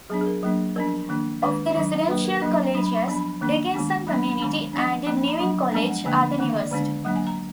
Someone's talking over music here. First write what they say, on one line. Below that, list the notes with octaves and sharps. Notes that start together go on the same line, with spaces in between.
Of the residential colleges, Dickinson Community and Newing College are the newest.
F#3 B3 D4 G#4
G#4
A#4
F#3 A#3 D4
F3 B3 D4 A#4
D#3 A#3 D4
D#3 G#3 D4 B4
D#3 F#3 D4
F#3 A#3 D4 B4
A#4
F#3 A#3 D4 D#5
F5
A#5
F#3 D4 B5
B5
D6
F3 B3 D4 B5
D#3 A#3 D4
D#3 G#3 B3 D4
F#3 A#3 D4 B5
B5
B5
D#3 G#3 B3 D4
F3 B3 D4
F3 A#3 D4
B5
A#5
F#3 D4
F3 G#3 B3 D4 A#5
F#5
D3 F3 A#3 D4 G#5
B5
D#3 A#3 D4 F#5
F5
D5
D3 G#3 B3 D4
F#3 A#3 D4 F#5
G#5
A#5